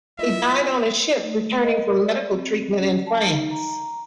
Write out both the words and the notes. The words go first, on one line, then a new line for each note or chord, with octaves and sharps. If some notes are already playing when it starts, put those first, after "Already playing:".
He died on a ship returning from medical treatment in France.
E4 F4 D#5 E5
A3
D#5
A#4
D5
C4
C#4
A5
D#4
A#5